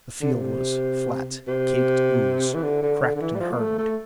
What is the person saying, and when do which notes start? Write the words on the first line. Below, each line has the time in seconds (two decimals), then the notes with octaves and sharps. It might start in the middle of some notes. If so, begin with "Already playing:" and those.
The field was flat, caked ooze, cracked and hardened.
0.21 D3
0.32 C3
1.47 C3
2.54 E3
2.63 D3
2.82 D3
3.02 D3
3.16 D3
3.21 E3
3.35 G3
3.40 F3
3.52 A#3
3.59 A3
3.78 A3